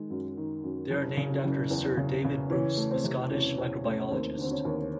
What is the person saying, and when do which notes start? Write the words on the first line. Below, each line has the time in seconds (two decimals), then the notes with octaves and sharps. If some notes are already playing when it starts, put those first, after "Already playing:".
They are named after Sir David Bruce, a Scottish microbiologist.
Already playing: D#3 G#3
0.10 F#2
0.37 D#3
0.64 F#2
0.91 F#1
1.17 C#3
1.44 F#1
1.70 E2
1.97 C#3
2.24 C#3
2.50 E3 C#4
2.77 A3
2.91 C4
3.04 C3
3.31 E2 C#4
3.58 E2 C4
3.85 A3 C#4
4.11 D#2 C4
4.38 D3 C4
4.51 C#4
4.65 D#2